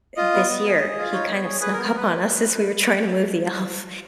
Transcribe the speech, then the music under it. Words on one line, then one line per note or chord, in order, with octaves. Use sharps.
eh, this year, he kind of snuck up on us as we were trying to move the elf,
F4 D#5
B3
B3
G#4
G#4
F4
D#4 C#5
B3
G#4
G#4 B4
A#4
B3
A#4
B3 B4
A#3
A#3